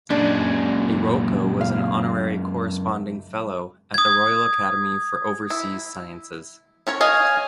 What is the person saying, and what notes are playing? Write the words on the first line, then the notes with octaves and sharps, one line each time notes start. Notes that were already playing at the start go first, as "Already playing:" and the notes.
Iroko was an Honorary Corresponding Fellow at the Royal Academy for Overseas Sciences.
F#2 A#2 C#3 G#3 D4
F5
D#6 G#6
E4
C#4 A#4 C#5
C#5 D#5 F5 G#5 F6